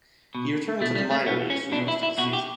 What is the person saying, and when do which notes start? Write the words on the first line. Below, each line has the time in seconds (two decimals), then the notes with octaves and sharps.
He returned to the minor leagues for most of the season.
0.35 B2
0.81 B2 A3
0.95 G3
1.11 A3
1.26 B2 B3
1.50 C#4
1.72 B2 D4
1.88 E4
2.03 E4
2.18 B2 F#4
2.33 G4